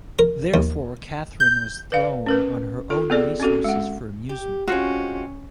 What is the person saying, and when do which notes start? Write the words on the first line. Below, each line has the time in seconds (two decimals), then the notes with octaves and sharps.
Therefore Catherine was thrown on her own resources for amusement.
0.19 A#4
0.54 D#2
1.40 G6
1.92 B4 D5 F5
2.26 C#4 A#4 B4
2.90 F4 A4
3.10 B3 C4 G#4 A4 D5
3.40 C4 C#4 F#4 A4
3.64 G#3 F#5
4.29 G4
4.68 G#3 C4 C#4 F4 F#4